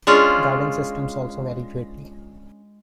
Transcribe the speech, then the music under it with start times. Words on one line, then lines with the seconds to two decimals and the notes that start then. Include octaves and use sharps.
Guidance systems also vary greatly.
0.07 G#3 C#4 D4 F4